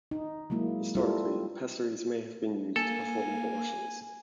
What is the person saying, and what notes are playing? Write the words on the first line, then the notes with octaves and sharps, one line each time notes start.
Historically, pessaries may have been used to perform abortions.
D#4
F#3 G#3 A#3 E4
G3 E4 F4 A4 A#4
A#3 A4 G#5